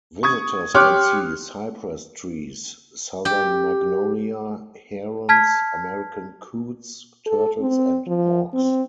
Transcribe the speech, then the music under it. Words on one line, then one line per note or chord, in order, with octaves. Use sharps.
Visitors can see cypress trees, southern magnolia, herons, American coots, turtles and hawks.
C#6 D#6 G#6
G4 C#5 C6 D6 F6 F#6
G4
A5 F6 G#6 B6
A4
C4
F3
C4